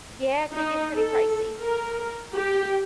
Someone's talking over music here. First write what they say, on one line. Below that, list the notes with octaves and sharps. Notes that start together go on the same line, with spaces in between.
Yeah, it could get pretty pricey.
D#4
A4
A#4
G4